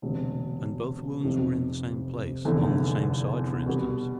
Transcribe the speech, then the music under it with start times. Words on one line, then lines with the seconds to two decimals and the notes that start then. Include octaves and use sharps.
"And both wounds were in the same place--on the same side, for instance?"
0.02 E1 D2 C3
1.23 F1 F2 C3
2.45 F1 E2 D3 A3
3.66 B2 G3 B3